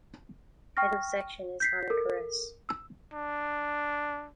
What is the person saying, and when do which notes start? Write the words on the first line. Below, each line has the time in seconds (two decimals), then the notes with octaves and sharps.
Head of Section is Hannah Carress.
0.77 G5 C#6 F6 A#6
1.60 G6 B6 C7
1.90 A4 A#4
2.69 E6
3.13 D4